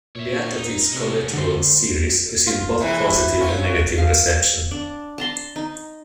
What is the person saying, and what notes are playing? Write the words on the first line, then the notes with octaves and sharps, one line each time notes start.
The Attacktix collectible series received both positive and negative reception.
A#2 C#5 E5
D#4
C3 G#3 B3
C#2 D3 C5
F4
C3 E3 G#3 E4
F#3 C#4 F4
F5
D4
A5 A#5 C6
D#4